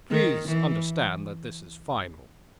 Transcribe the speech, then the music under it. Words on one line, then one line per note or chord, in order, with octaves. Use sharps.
Please understand that this is final.
D#3
E3